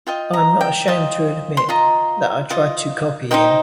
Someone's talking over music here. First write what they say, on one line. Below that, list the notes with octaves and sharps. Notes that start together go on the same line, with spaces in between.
I'm not ashamed to admit, that I tried to copy him.
F4 D#5 G5
A#5
G5
F4 D#5
C6
F4 D#5 A#5
F4 D#5
D#4 C5 D#5 G5